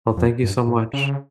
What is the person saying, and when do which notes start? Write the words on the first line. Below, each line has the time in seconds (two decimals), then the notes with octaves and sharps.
Well, thank you so much.
0.17 F2
0.43 G2
0.68 A2
0.93 C#3